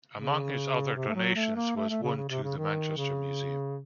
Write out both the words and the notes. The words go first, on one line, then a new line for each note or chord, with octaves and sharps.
Among his other donations was one to the Manchester Museum.
C#3
C3
A3
F#3
A3
A#3
A3
A3
C#3
C#3
C3
C#3
D#3
C#3